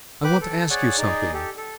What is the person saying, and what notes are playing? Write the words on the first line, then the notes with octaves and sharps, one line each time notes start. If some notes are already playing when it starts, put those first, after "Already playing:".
I want to ask you something.
B4 G5 B5 D6 F#6
A4
G#4 C#5 D5 F#5
D#4 G#4 D5
G4 A4
A4